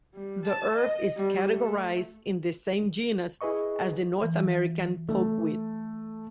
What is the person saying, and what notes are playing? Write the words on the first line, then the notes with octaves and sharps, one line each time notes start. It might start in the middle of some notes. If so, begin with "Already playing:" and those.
The herb is categorized in the same genus as the North American pokeweed.
G3
A5
D#5
G3
A3
E4 G#4 B4 D#5 C#6
E3
A3